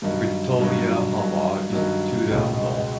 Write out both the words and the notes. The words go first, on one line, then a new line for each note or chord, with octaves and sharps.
Victoria Harbour is to the north.
G2 D#3 F#3
G2 D#3 F#3
G2 D#3 F#3
G2 D#3 F#3
C#2 B2 G#3